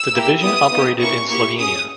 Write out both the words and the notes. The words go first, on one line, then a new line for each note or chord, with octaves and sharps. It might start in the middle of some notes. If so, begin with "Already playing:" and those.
The division operated in Slovenia.
Already playing: E6
A#3 E4 G4
B3 E4 G4 D#6
B3 D#4 G4
A#3 C#4 E4 C#6
A#3 E4 G4 C#6
C#4 G#4 D#6